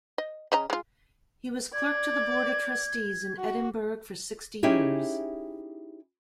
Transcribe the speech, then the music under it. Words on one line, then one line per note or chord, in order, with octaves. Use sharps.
He was clerk to the Board of Trustees in Edinburgh for sixty years.
D#5
C#3 D#5 A#5
G#3 F4
D5 G#6
F#4
C#4 D#4 E4 G4 G#4